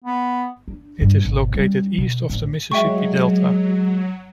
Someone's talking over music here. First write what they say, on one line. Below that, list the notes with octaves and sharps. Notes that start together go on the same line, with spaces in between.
It is located east of the Mississippi Delta.
B3
D4
G2
G#1 B2
G3 C#4
B2
A1
F#3 G#3 E5 G5 C#6